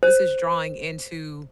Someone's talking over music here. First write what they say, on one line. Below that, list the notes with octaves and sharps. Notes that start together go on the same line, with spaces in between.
this is drawing into
C5